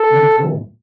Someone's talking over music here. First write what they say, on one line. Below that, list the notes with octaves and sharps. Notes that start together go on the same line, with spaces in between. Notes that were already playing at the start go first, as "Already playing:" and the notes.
Yeah, cool.
Already playing: A4